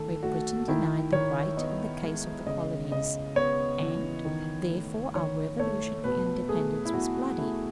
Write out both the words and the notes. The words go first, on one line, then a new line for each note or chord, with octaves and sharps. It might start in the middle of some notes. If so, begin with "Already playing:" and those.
Great Britain denied the right in the case of the colonies, and therefore our revolution for independence was bloody.
Already playing: D#3 A3 A4
A3 F#4
D#3 E4
D#3 C#5
B3 D#5
G#3
C#3 D#5
C#3 D#5
B3 C#5
E3
D#3
A3
D#3 C#5
A3 C#5
B2 B4
A3 G#4
E4
B2 F#4
A3 E4